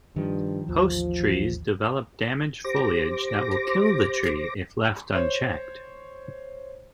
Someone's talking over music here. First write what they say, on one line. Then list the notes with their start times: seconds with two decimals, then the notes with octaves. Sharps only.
Host trees develop damaged foliage that will kill the tree if left unchecked.
0.16 G2 D#3 F3
0.68 A1 D#2 F3
2.64 G4 C5 D6 A#6
5.15 C5 C#5